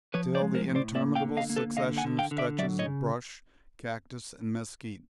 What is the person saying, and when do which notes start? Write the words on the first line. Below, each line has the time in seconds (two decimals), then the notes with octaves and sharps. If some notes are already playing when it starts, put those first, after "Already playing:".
Still the interminable succession of stretches of brush, cactus, and mesquite.
0.14 F3 B4 C#5
0.35 C5 D5
0.41 G#3
0.55 A#4 C5
0.68 A2
0.75 C5 D5
0.95 A#3 D5 E5
1.15 F5 G5
1.23 D3
1.37 D#5 F5
1.50 A#3
1.56 A4 B4
1.77 D3 D#5 F5
1.97 F#5 G#5
2.05 D3
2.19 F5 G5
2.31 D3
2.38 D5 E5
2.58 F#3 D5 E5
2.79 C#5 D#5
2.86 C#3